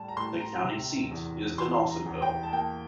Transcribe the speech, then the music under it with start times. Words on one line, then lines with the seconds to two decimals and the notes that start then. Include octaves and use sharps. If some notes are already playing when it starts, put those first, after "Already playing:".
The county seat is Donalsonville.
Already playing: A2 G3 A5
0.08 A#5
0.16 A2 C6
0.41 A#5
0.64 C3
1.11 E2
1.58 E2 C6
1.74 C6
1.90 A#5
2.06 E2
2.22 G5
2.43 A5
2.52 A#3 G5